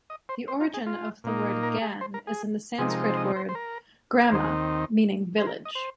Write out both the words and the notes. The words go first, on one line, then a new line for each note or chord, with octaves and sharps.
The origin of the word "Gan" is in the Sanskrit word "Grama", meaning "village".
D#5
C5
C5
F4
G#4
F4
A#2 A#3 D#4
A#4
G#4
C5
A#4
G#4
C3 F3 G#3 D#4 G#4
A#4
C5
D#5
C5
C5
A#4
A#4
D#2 D#3 C4 D#4 C5
G#4
C5
A#4
D#5
C5